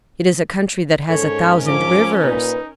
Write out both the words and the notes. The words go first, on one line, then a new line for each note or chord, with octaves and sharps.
It is a country that has a thousand rivers.
G#2 C#4 A4 A#4 C#5
F3 D6
A#2 D#4 B4